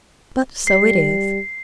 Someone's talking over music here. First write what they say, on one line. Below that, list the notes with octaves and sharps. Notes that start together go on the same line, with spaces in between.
But so it is.
G3 C7